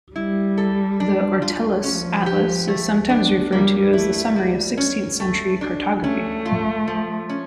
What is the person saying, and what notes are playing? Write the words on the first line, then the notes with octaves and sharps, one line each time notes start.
The Ortelius atlas is sometimes referred to as the summary of sixteenth-century cartography.
G3 E4
A4
D4
F4
F3 C#4
G4
A3
D4
G3 A#3
A3 E4
G3
C#4
A3
D4
A3 C#4
F4
F3
C#4